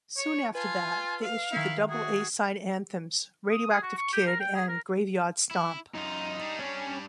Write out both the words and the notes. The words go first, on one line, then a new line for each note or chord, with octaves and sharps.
Soon after that, they issued the double A-side anthems "Radioactive Kid" and "Graveyard Stomp".
C#5
F4 B4 G#5 A5
F5
D#3 E4 E5
F#4 G#4
D#6
G#4
F#4
C#6
G4
A#4
G5
G#4
A#4
E4
F#2 D#4 F4
G3 D4
C#4 C#5